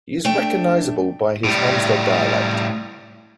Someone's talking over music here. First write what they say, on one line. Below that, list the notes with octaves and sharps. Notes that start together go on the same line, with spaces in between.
He is recognizable by his Halmstad dialect.
A3 D4 G5
A2 G3